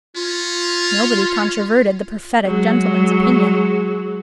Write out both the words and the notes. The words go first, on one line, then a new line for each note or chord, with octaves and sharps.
Nobody controverted the prophetic gentleman's opinion.
C#4 F4
F#3 G#3